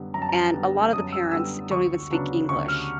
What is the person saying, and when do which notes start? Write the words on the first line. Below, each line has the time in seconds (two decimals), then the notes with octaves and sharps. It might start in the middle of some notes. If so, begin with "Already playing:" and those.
and a lot of the parents don't even speak English,
Already playing: F#2 D3 G3 B3
0.14 F#2 A#5
0.22 A5
0.29 A#5
0.53 D3 G3 B3
0.93 F#2 D#6
1.12 E6
1.31 D3 G3 B3 E6
1.71 D2 C#6
2.10 C#3 F#3 B3 D4
2.49 D2 C#6
2.68 F6